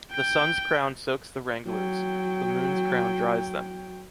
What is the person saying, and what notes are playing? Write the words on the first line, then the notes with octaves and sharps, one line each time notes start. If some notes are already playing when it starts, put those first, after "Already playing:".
The sun’s crown soaks the wranglers, the moon’s crown dries them.
G5
F#3 G5